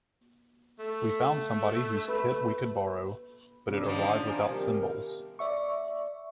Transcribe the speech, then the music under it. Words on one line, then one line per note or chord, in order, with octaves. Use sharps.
We found somebody whose kit we could borrow, but it arrived without cymbals.
A3
B4
C#3 D4
D#3 F3
F5 G#5 A#5
C3 G3 A#4
D5 E5 C#6